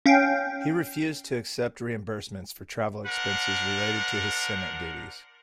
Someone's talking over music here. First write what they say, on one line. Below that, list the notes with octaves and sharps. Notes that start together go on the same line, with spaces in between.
He refused to accept reimbursements for travel expenses related to his Senate duties.
C#4 F5 G5
D4 A#4 C5 F#5